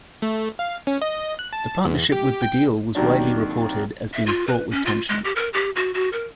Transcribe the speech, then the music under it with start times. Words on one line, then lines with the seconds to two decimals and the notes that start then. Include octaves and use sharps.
The partnership with Baddiel was widely reported as being fraught with tension.
0.22 A3
0.59 F5
0.87 C#4
1.02 D#5
1.39 F#6
1.53 A5
1.85 E2
2.12 G4
2.42 G5
2.95 D#2 C3 D#3 F#3 D4
4.14 E5
4.26 F4
4.47 B4
4.71 C#4
4.86 F4
5.09 G#3
5.24 G4
5.36 A#4
5.53 G4
5.76 F#4
5.94 F#4
6.13 A#4